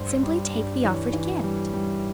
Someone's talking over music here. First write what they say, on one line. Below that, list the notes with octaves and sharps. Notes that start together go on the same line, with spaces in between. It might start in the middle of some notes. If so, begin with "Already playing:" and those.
"Simply take the offered gift."
Already playing: G2 C5
G3
G2
E3 C#5
E3
G3
G3